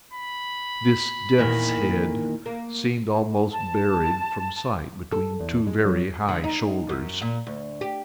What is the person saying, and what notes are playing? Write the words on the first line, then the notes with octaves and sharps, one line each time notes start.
This death's-head seemed almost buried from sight between two very high shoulders.
B5
E2 A#2 D#3
A#3
A5
A4
E2
G#3
F#3
D3
D#4
F#2
A#2
D2
G4